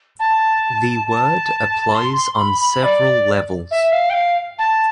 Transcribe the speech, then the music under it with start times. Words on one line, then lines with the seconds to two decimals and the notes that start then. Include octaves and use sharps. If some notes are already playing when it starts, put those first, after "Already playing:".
The word applies on several levels.
0.19 A5
1.07 A5
1.94 C6
2.16 C6
2.38 B5
2.60 B5
2.83 D5
3.71 E5
3.92 F5
4.09 G5
4.13 F5
4.58 A5